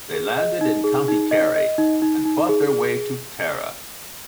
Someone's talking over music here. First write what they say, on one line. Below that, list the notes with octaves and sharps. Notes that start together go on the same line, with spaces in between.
They landed in County Kerry and fought their way to Tara.
G#4
D#5
D#4
G#4
D#4
D#5
D#5
D#4
D#4
D#4
G#4
G#4